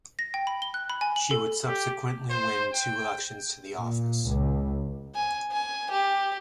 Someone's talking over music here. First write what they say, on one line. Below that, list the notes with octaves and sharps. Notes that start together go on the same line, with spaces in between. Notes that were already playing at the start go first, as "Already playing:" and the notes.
She would subsequently win two elections to the office.
A#6
G5
B5
G7
F#6
B5
G#5
F#7
A4
G4
C5
G5
A#2
C#2
G#5
G#5
G4